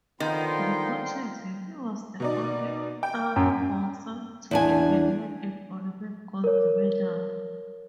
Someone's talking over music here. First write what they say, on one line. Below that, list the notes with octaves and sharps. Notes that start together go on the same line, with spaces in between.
Reportedly he was the only Army boxer to ever win an Olympic Gold Medal.
D3 D#3 F3 B3 D#4 F4 G5 C6
B2 D#4 D5
G5
F#2
E2 D4 G#5
A#4 C#5